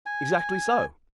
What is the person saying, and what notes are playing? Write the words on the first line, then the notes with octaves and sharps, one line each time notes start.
"Exactly so."
G#5